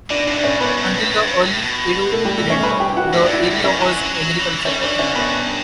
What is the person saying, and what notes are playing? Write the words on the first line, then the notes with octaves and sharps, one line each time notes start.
Until the early Edo period, the area was agricultural.
B2 D4 D5
A2 D4 D5
A2
G2 C#4 C#5
G2 B3 B4
G2
A2
G2
G2
A2
B2
A3 A4
G3 G4
A3 A4
C#4 C#5
B4 B5
G4 G5
F#4 F#5
B2 E5
G2 D5
E4 E5
A2
B2 C#4 C#5
D3
F#3
F#3
E3
G3 C#4 C#5
E3 D4 D5
D3 C#4 C#5
G2 B3 B4